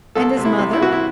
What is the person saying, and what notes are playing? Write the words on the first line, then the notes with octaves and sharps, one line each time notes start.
"And his mother?"
C2 A4
C3
E4
C3
E4
C2 F#4
E4